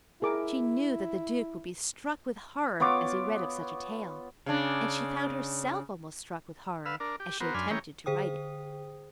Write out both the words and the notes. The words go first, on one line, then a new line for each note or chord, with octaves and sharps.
She knew that the Duke would be struck with horror as he read of such a tale, and she found herself almost struck with horror as she attempted to write it.
E4 G#4 A#4 D6
B3 F4 C#5 D6
C#3 D4
B4 F5 E6
D4 A#4
G4
B3 F#4 A#4 C5
F#2 D4 G#5 B5 C6 F6
E3 G#3 C#4 C#5 G5 A#5
D3 G#4 C5 G5 D#6